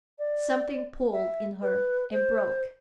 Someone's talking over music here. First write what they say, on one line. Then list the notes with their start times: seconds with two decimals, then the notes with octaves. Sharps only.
Something pulled in her--and broke.
0.19 D5
1.13 E5
1.62 B4
2.12 C5